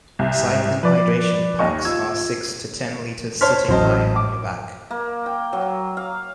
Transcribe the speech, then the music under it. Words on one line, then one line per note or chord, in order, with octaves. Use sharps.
Cycling hydration packs are six to ten litres sitting high on your back.
C2
G#2
F3 B4 D5
D#2 D#5 C#6
F4 E6 G#6
C5 C#5 A5 C6 F6 B6
A1 F#3 C5 D#5 A5
D6
A#3
G5
F#3
F5